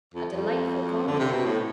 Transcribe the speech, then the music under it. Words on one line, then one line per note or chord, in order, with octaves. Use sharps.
A delightful comedy.
F2
F2
D3
C3
B2
A2